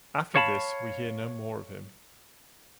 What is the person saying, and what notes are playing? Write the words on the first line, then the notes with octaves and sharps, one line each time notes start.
After this we hear no more of him.
C#5 F5 A5 B5